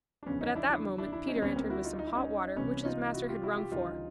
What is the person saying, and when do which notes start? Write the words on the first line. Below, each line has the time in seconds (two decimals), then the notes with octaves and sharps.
But at that moment Peter entered with some hot water which his master had rung for.
0.23 D4
0.26 E2 C#3 F3 B3 C#4
0.41 C#4 D#4
0.55 D4 E4
0.69 D4 E4
0.98 D4 E4
1.13 D4 E4
1.27 C#4 D#4
1.36 C4
1.42 D2 D3 G3 B3 C#4
1.56 A#3 C4
1.70 E4 F#4
1.84 D#4 F4
1.99 D#4
2.07 E4
2.15 C#4 D#4
2.57 C2 C3 E3 G3 B3 C#4
2.85 D#4 F4
3.14 E4 F#4
3.29 F4 G4
3.43 E4 F#4
3.57 F4 G4
3.72 D2 C#3 E3 G3 D#4 F4